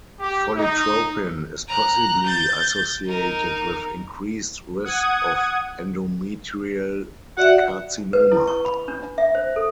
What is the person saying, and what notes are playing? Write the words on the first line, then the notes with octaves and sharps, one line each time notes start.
Follitropin is possibly associated with increased risk of endometrial carcinoma.
G4
D#4
A#5 F#6
G6 A6
D#4 A#4
F#5 D#6 G#6
F#4 D5 E5 F#5
B4
E4
C#6
B5
D4
E5
C5
A4